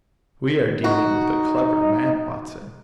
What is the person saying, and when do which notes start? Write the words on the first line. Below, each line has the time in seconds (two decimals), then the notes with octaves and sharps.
We are dealing with a clever man, Watson.
0.84 D#4 F#4